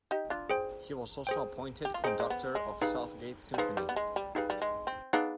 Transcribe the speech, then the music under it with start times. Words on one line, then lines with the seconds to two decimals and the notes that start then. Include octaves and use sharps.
He was also appointed conductor of Southgate Symphony.
0.11 D#4 G4
0.30 D4 F4
0.50 G#4 C5 G5
1.27 G#4 C5 G5
1.85 G4
1.94 F4
2.04 C4 D#4 G#4 C5 G5
2.20 G#3
2.30 B3
2.55 G#3
2.81 G3 D#4 G#4 B4 F5
3.54 G3
3.58 F3 D#4 G#4 B4 F5
3.77 G3
3.89 B3
3.96 G#3
4.16 G3
4.35 G3 D#4 G#4 B4 F5
4.50 G3
4.62 G#3
4.87 C4
5.13 B3 D4 D#4 G#4 B4 F5